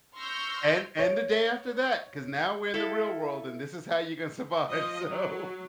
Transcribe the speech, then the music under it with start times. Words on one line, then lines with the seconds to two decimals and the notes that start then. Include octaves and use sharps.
and and the day after that, 'cause now we're in the real world, and this is how you're gonna survive, so
0.15 C6 C#6 E6 F6 G6 A#6
0.99 C#5
2.74 E4 A4 E5 F5
4.71 F3 D#5
5.09 F#3